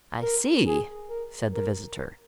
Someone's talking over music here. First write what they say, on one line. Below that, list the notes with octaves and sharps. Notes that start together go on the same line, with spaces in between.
"I see," said the visitor.
A#4
G#4
A#4
A#4